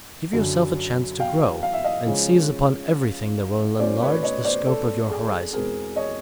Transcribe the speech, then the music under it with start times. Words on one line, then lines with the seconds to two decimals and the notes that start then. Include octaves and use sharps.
Give yourself a chance to grow and seize upon everything that will enlarge the scope of your horizon.
0.33 F#2 D3 F#3
1.20 F5 G5
1.63 F5
1.73 E5
1.84 D#5 F5
2.06 C#3 F3 G#3 C#4
3.79 A2 F#3 A3 C#4 C5 D5
4.01 B4 C#5
4.23 C#5 D#5
4.44 C5 D5
4.67 A4
5.10 G#4
5.53 E2 B2 G#3 C4 G#4 A#4
5.96 C#5 D#5